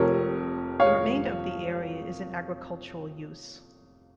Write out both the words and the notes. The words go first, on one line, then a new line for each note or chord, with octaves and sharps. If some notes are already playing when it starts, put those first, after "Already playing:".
The remainder of the area is in agricultural use.
Already playing: F1 F2 C3 F3 A#4 C#5
C#5 F5